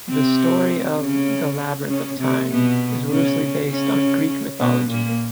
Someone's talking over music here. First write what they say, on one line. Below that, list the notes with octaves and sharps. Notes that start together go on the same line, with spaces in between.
The story of "The Labyrinth of Time" is loosely based on Greek mythology.
C3 C4
C#3 C#4
C#3 C#4
C3 C4
B2 B3
C#3 C#4
C#3 C#4
B2 B3
A#2 A#3